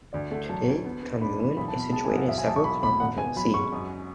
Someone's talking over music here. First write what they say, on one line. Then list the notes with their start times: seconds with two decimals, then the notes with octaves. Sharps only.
Today Kauniainen is situated several kilometres from the sea.
0.13 D2 D5
0.31 A3 F#5
0.49 F#3 A5
0.68 D2
0.84 B3
1.03 B3
1.21 D4 B5
1.39 E3 B5
1.57 B1 B5
1.68 A5
1.75 B2 B5
1.92 G#3 A5
2.05 G#5
2.11 B1 F#5
2.28 B1 E5
2.38 G#5
2.47 B1 A5
2.56 C#6
2.64 B1 B5
2.82 B2 B5
3.00 G#1 F#5
3.18 B3 G#5
3.36 F#3 B5
3.54 G#2 C#6
3.73 F#2